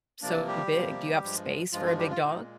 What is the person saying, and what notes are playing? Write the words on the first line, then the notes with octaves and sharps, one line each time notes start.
so big? Do you have space for a big dog?
C3 F3 A#3 D4 D5
G3 G4
C3 F3 A#3
G2 F3 G#3
G2 F3 G#3 F4
F4
G3 G4
F4
A#2 G#3 D#4